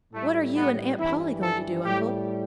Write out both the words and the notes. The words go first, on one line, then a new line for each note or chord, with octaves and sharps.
"What are you and Aunt Polly going to do, Uncle?"
A2 G3 A3
B3
G2 E3 G3 E4
A4
A2 G3 G4